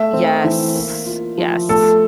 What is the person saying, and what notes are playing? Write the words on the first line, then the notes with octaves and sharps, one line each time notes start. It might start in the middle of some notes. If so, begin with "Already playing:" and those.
Yes, Yes.
Already playing: A3 E5
C4
E3
A#3
F4
F3
A3 A4